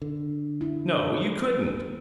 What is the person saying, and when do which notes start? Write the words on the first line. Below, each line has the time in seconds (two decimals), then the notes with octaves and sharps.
"No, you couldn't."
0.02 D3
0.61 E4